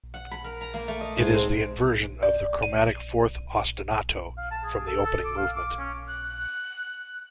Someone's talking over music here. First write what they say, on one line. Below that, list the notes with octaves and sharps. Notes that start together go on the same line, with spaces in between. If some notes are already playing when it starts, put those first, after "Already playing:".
It is the inversion of the chromatic fourth ostinato from the opening movement.
F#5
B5
A#4
A#5
A#3
A3
D#5
G#2
C4
D5
D#7
F5
A5
G#4
A4
A4
D6
F5
D6
C#4
F#6